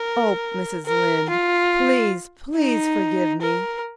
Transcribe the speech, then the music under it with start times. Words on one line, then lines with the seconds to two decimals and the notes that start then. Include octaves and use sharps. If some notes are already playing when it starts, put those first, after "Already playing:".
Oh, Mrs. Lynde, please, please, forgive me.
Already playing: A#4
0.86 A#4
1.29 F4
2.56 D#4
3.41 A#4